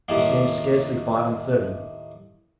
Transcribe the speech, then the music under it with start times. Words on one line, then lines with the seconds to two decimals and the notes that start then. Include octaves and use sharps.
He seemed scarcely five and thirty.
0.09 D#2 A2 A#3